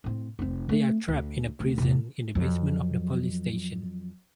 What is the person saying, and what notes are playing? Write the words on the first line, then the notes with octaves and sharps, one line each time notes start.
They are trapped in a prison in the basement of the police station.
A2 C4
F1 C4
A3 C4
D2
D2
E2 C3
F2 F#3